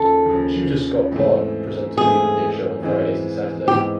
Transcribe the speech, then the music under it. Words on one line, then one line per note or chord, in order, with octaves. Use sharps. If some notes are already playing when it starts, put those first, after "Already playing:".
Due to Scott Clarke presenting the Evening Show on Fridays and Saturdays.
Already playing: D#2 C#3 F3 A4
D#2 C#3 F3
G#2 E3 A3 C4
G#2 E3 A3 C4 G#4
G#2 E3 G#3 C4
G#2 E3 G#3 C4 G4